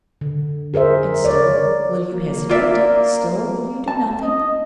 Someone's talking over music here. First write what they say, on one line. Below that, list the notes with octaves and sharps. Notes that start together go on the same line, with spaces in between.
And still will you hesitate; still will you do nothing?
D3
G#4 A#4 C5 E5
A#4 C#5 D5
A#3
F4 D5 E5
A5
D#5